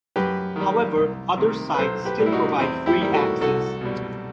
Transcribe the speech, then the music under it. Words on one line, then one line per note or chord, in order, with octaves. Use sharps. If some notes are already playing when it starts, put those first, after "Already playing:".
However, other sites still provide free access.
F#2 G4 B4
D#3 G3
C2
C3 D#3
B4
B1 A4 C5
G4 B4
A2 G3
E4
D#4 F#4
E2 C4 E4
E4 G4
D#3 G3
F#4 A4
C2 F#4 A4
B2 G3